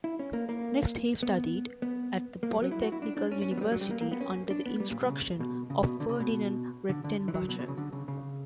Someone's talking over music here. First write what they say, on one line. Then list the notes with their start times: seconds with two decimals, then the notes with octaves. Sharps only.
Next he studied at the Poly-Technical University under the instruction of Ferdinand Redtenbacher.
0.04 E4
0.19 C#4
0.33 A#3
0.49 A#3
1.23 B3
1.82 B3
2.43 A#3
2.52 G3
2.62 F#3
2.71 E4
2.82 F#4
2.92 E4
3.02 D4
3.17 D4
3.31 C#4
3.42 C#4
3.51 B3
3.57 F#3
3.61 G3
3.72 F#3
3.81 G3
3.91 A#3
4.01 A#3
4.12 B3
4.21 C#4
4.50 D4
4.66 B3
4.80 G3
4.90 A#2
5.00 B2
5.10 C#3
5.40 B2
5.70 C#3
5.85 B2
6.00 D3
6.09 C#3
6.20 B2
6.89 D3
7.04 D3
7.28 E3
7.34 F#3
7.49 B2
7.59 B2
7.68 C#3
7.78 D3
7.92 C#3
8.08 C#3